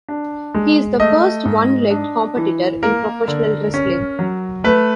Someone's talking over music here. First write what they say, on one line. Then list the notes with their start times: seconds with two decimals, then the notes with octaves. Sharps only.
He is the first one-legged competitor in professional wrestling.
0.08 D4
0.55 G#3
1.00 A3 D#5
1.45 G#2
1.90 D4
2.37 E3
2.83 A#3 A#4
3.28 D3
3.74 C#4
4.19 F#3
4.64 A3 B4